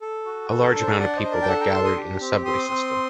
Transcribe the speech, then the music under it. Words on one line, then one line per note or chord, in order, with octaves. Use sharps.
A large amount of people that gathered in a subway system.
A4
F#4
A4
A#4
D4
C5
A#4 D5
D4 D5 F#5
C5 D#5
D4
A#4 D5
G5
A4 F#5 A5
G5 A#5
D4 A5 C6
C6 D#6
G4
C4
C4 C6 D#6
C4